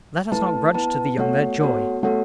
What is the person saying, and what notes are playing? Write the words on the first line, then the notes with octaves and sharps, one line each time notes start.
Let us not grudge to the young their joy.
A3 E4 B4 A5
B3 E4 B4 A5
A3 B3 F#4 A4 C#5 F#5
B3 F#4 A4 C#5 F#5
A3 B3 F#4 A4 C#5 F#5